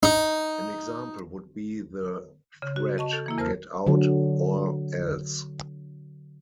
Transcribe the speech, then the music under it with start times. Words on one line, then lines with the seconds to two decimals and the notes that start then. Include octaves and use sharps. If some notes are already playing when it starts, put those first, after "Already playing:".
An example would be the threat Get out, or else-!
0.03 D#4
2.62 C#3
2.76 F#4
2.98 D#5 A5 C#6
3.11 A4 G6
3.26 E3 A#3 E4
3.38 E2 A#4 C5 A5 F6
3.87 D3 F#3